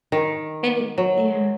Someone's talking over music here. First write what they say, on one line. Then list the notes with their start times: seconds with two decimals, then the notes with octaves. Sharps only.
And yeah.
0.12 D#3
0.98 F#3